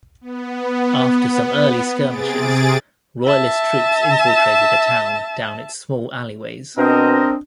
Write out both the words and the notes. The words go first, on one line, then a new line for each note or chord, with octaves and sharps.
After some early skirmishes, Royalist troops infiltrated the town down its small alleyways.
B3
C3 G#4 A6 D7
E5 A5
B2 C4 D4 A#4 C5 D#5